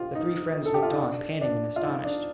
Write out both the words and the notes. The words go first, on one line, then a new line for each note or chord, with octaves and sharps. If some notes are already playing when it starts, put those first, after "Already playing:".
The three friends looked on, panting and astonished.
Already playing: F4 G4
D#4
A4
G4
F4
D#4
D4
D4
F4
D#4
D4